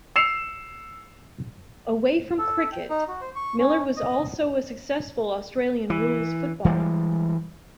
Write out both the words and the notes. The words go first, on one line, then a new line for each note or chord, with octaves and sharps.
Away from cricket, Miller was also a successful Australian rules footballer.
E6 C7 C#7 E7 F7
A4
G5
D#4
F#4
C5
C#6
C#4
D#5
E3
E3 G3 G#3